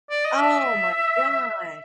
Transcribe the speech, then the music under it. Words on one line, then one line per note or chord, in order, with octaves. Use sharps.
Oh my god!
D5
D#5
E5